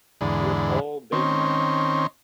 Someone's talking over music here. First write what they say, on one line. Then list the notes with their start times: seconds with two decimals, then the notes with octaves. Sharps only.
We've all been there.
0.21 E2 G#2 D3
1.12 D#3 C4 C#4